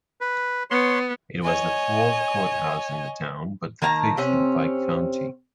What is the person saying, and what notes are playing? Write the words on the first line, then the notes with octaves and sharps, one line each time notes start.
It was the fourth courthouse in the town, but the fifth in Pike County.
B4
B3 C#5 C6
C#5 D#5 G#5
D#3 A#3 A5 A#5
C3 C4 C#4